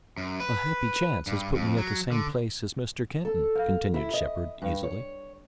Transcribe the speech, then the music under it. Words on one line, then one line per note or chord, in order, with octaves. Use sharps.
"A happy chance has put me at the same place as Mr. Kenton," continued Shepard easily.
F#2
B4
G2
F2
F#3
D3
A4
F5
E4
D#5
G2
C#5